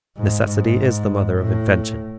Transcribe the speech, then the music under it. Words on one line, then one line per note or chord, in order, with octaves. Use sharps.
Necessity is the mother of invention.
G#2
G#2
A2